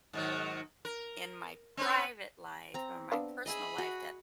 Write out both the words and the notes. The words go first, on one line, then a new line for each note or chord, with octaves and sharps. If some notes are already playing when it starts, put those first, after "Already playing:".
In my private life or my personal life, that
G#2 D#3 F#3
A#4
C4 C#4 B4
C4 A#5
B3 D4 F5
G#4 D#5 E5 G#5 B5
F#4